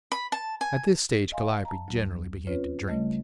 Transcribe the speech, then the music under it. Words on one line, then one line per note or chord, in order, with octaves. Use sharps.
At this stage Calliope generally began to drink.
B5
A5
G#5
D#5 F5 G#5 C6
A5 A#5
D2 F#3
C4 C#4 F4 B4 C#5
C#3 G3 A3 D#5